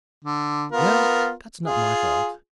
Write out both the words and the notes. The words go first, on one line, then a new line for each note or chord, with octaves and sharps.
"Well, that's not my fault."
D3
B3 F4 A#4
F4 G#4